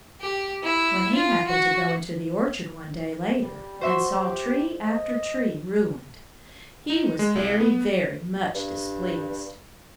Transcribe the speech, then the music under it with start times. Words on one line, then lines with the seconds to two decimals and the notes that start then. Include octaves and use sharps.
When he happened to go into the orchard one day, later, and saw tree after tree ruined, he was very, very much displeased.
0.20 G4
0.63 E4
1.14 F4
1.47 F#4
3.42 G3
3.81 F#4 C5 E5 C6
4.16 G4
4.86 D#5
6.90 D#4
7.19 G#3
7.36 C2
7.60 B3
8.55 G2